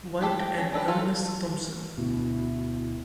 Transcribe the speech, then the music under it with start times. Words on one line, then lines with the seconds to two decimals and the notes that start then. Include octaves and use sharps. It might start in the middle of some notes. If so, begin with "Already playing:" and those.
White and Ernest Thompson.
0.21 E4 G4 A4
0.40 G5
0.58 C#4
0.72 G3 D4 A4 B4
0.88 F4 A4 C#5
1.98 D2 B2 E4